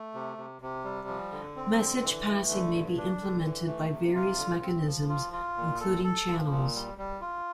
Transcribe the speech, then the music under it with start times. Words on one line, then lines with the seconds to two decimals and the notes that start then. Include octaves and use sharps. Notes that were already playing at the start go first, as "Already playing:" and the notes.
Message passing may be implemented by various mechanisms, including channels.
Already playing: A3
0.14 C3
0.37 C3
0.62 C3
0.84 G3
1.08 F3
1.32 D3
1.56 C4
1.79 D3
2.03 E3
2.27 A3
2.49 D3
2.73 G2
2.97 D4
3.21 D3
3.44 E3
3.67 A3
3.91 C3
4.15 F4
4.38 D3
4.62 C4
4.85 F3
5.09 F4
5.33 F4
5.57 A#2
5.80 A4
6.04 A4
6.27 F3
6.51 A#2
6.75 G3
6.98 G3
7.21 F4